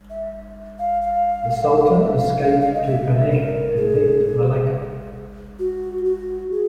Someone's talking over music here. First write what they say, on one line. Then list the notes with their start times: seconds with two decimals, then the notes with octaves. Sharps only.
The Sultan escaped to Penang and then Malacca.
0.10 E5
0.79 F5
1.02 F5
1.83 F5
1.93 E5
2.16 F5
2.39 F5
2.61 F5
2.74 D#5
2.85 E5
3.31 A#4
3.76 G#4
5.59 F#4
6.05 F#4
6.51 G#4